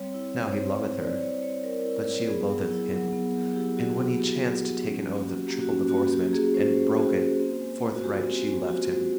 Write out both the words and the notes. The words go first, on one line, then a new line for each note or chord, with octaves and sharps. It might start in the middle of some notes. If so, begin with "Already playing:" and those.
Now he loveth her, but she loatheth him; and when he chanced to take an oath of triple divorcement and broke it, forthright she left him.
Already playing: G3 C4 C#5
E4
G3 C#5
C5
C#5
C4
G3
E4 D5
G3 C#5
C4 C#5
G3 A#4
E4
G3
B3 G#4
F#3
E4
F#3
B3
F#3
E4 G4
F#3 F#4
B3
F#3 G4
E4
F#3
C#4
A#3
F#4
A#3 G4
F#4
C#4
A#3 F#4
F#4 G4
A#3 G#4
C#4 C5
A#3 C5
F#4
A#3
C4
G#3
F4
F#4
G#3 G4
C4
G#3
F4 F#4
G#3